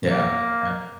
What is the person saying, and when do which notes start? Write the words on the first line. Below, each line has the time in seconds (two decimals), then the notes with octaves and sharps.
Yeah, yeah.
0.10 A#3